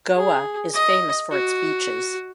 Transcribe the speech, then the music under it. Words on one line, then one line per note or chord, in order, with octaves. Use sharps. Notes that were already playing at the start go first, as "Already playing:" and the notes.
Goa is famous for its beaches.
G#4
D#5
F#4